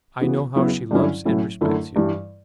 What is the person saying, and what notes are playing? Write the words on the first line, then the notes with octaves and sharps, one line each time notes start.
I know how she loves and respects you.
C#3 E3 B3 F#4
C#3 F#3 B3 E4
G2 D3 F#3 C#4 E4
A2 F#3 C#4 E4
F#2 D3 A3 E4
G2 E3 G3